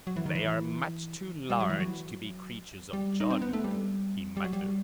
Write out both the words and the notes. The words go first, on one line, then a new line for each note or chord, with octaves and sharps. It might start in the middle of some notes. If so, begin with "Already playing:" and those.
"They are much too large to be creatures of Jon," he muttered.
F#3
E3
D#3
E3
G3
F#3
E3
F#3
G3
D#4
C4
B3
A3
G3
G3
F#3
G3